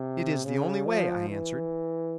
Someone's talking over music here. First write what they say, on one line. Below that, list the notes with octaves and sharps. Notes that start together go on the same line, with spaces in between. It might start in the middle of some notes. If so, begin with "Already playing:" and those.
"It is the only way," I answered.
Already playing: C3
C#3
F3
E3